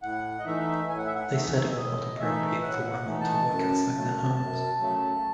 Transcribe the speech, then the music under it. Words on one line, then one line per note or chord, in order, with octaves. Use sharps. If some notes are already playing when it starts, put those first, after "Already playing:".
They said it was not appropriate for women to work outside of their homes.
A2 F#5
D#5
E3 A3 D#4 E5
A2 G#5
F#5
E5
F#5
E3 A3 D#4 E5
A2 D#5
E3 A3 D#4 E5
A2 F#5
F#5
E3 A3 D#4
A5
F#2 A5
C#3 F#3 A3 A5
F#2 A5
C#3 F#3 A3